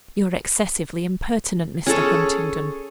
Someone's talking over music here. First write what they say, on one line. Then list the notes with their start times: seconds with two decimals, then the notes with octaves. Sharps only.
'You're excessively impertinent, Mr. Huntingdon!'
1.87 C#4 G#4 A4 C#5